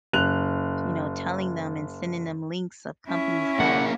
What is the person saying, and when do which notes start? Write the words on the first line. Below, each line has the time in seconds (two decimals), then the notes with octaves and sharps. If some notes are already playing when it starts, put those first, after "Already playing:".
you know, telling them, and sending them links of companies that are
0.13 F#1 F#6 F7
3.08 C#4 E4
3.60 A#3 G#4 F#5